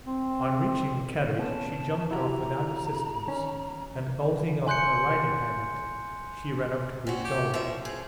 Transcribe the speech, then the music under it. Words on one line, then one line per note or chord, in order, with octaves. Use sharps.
On reaching the carriage she jumped off without assistance, and holding up her riding habit, she ran up to greet Dolly.
C4
B3 C#4 A5
E4 F#4 G4 A#5
D#3 C#4
G#5 C6 F#6 G6 C#7
C4 C#4 F#4
G4
A2 F3 E5
F3 G#4